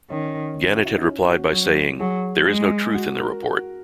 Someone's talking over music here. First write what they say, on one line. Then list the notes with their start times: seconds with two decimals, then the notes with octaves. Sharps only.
Gannett had replied by saying: There is no truth in the report.
0.10 D#3 C#4
0.76 F#4
0.85 E4
0.95 D#4
1.05 C#4
1.29 F#4
1.52 F#3
2.00 F#3 G#4
2.48 G#3
2.95 F#4
3.19 A#4
3.42 F#4